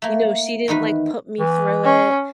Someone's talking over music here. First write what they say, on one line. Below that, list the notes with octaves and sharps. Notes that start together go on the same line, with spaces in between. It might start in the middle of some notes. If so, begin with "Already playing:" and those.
You know, she didn't, like, put me through it,
A3 A#3
E2 D#3 D#4 B4
E3
C#4